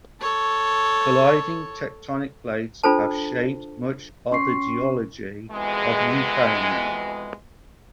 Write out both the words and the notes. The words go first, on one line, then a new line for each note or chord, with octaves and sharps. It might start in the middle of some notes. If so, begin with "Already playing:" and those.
Colliding tectonic plates have shaped much of the geology of Newfoundland.
A4 C#5
D4 F4 A4 C5 A5
C#4 C6 C#6 C7
F2 B2 E3 G#3